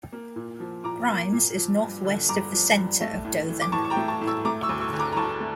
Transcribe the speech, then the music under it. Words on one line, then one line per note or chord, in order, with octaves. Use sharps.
Grimes is northwest of the center of Dothan.
A#3
A#2
F3
A#2 A#5 D6
A#3
A#2
F3
G2
D3
G2 A#5 D6
F3
G2
A3
A2
E3
D6
A2 A5 C#6
C#6
G5 A#5
A3
A5 C#6
A2
C#6 E6
A3 A#5 D6
C#6 E6
D2
C#6 E6
D3
A#5 D6
A#5
D2 A5 C#6
A3